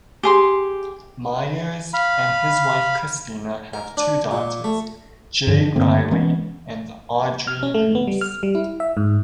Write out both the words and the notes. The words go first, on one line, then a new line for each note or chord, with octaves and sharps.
Meyers and his wife Christina have two daughters, Jaye Riley and Audrey Reese.
G4 G#4 C6
F5 B5
A#4
D4
A#2
A3
G2 D3 E3 F3
D4
G2 D3 A#3 C4
G2
E3 G#3 B3 C#4
F6
C#4
A3
B3
G3
F6
G3
E4
E5
G#2